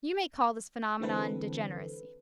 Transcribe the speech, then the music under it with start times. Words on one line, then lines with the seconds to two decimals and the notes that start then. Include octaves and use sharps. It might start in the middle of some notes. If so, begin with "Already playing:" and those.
You may call this phenomenon degeneracy.
1.00 D3 E3 G#3 C4 A4 B4